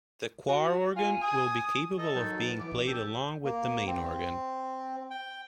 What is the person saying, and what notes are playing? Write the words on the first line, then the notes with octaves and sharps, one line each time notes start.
The choir organ will be capable of being played along with the main organ.
F#4
F4 G#5
G#5 D#6
A4 D#5
D#3 F#3
B3
E3 D6
A#1
G4 A4
A#3
C4
G5